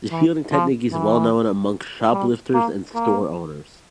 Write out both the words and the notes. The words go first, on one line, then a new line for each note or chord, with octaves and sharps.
The shielding technique is well-known amongst shoplifters and store owners.
E3
F3
E3
G3
A#3
A#3